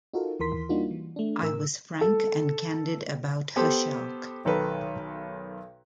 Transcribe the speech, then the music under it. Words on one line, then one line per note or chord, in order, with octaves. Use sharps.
I was frank and candid about her shark.
D#4 F4 F#4 A4 A#4
D#2 E3 A#4 C6 B6
G3 A#3 D4 D#4 F4 F#4
E3
A3 D4
A2 A#4 E6
A4
B3 G4 A4 C5
B1 D#3 A4 B4